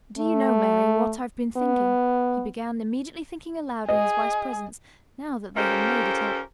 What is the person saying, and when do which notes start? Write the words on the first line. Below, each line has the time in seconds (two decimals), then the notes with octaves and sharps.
"Do you know, Mary, what I've been thinking?" he began, immediately thinking aloud in his wife's presence now that they had made it up.
0.19 A3
1.57 B3
3.89 G#4 D#5
5.57 C#4 F4 G4 A4 A#4 C5